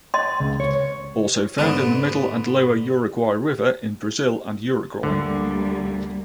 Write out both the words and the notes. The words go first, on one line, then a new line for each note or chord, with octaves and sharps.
Also found in the middle and lower Uruguay River in Brazil and Uruguay.
D#5 C6
C#2
C#5
G#2 D3 B3
D2 D3 G3 A#3